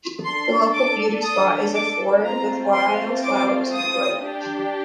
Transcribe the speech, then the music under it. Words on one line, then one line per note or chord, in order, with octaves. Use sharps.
The local beauty spot is a ford with wild flowers and a wood.
D4 A4 C6
D6
D#6
D6
A3 C4 F4 A#5
C6
D6
D#6
D4 G4